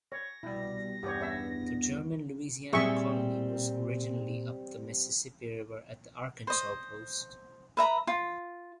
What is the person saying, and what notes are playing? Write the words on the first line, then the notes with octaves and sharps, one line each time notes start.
The German Louisiana colony was originally up the Mississippi River at the Arkansas Post.
C#5 A#6
B2 G3 E4
E2 G2 B3 G4 C#5
C#4 C#5 E5
A#2 G3 C4 G#4 E5 C#6
C5 D#5
B4 E5 A#5 B5
F4